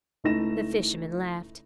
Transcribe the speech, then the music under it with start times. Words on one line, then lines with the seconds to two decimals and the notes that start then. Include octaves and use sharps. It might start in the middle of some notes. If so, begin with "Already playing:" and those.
The fisherman laughed.
0.24 C#2 A3 D#4 E4 A#6 E7